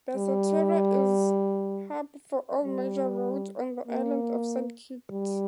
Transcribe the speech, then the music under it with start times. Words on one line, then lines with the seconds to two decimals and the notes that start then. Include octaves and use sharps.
Basseterre is hub for all major roads on the island of Saint Kitts.
0.17 G3
2.64 G3
3.87 A#3
5.11 G3